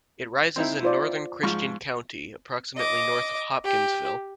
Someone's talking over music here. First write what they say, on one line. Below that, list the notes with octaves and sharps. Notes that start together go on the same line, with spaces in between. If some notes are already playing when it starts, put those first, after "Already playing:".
It rises in northern Christian County, approximately north of Hopkinsville.
C4 D#4 E4
F4 C5 D5
G#2 F3 C#6
D#5 D6
G4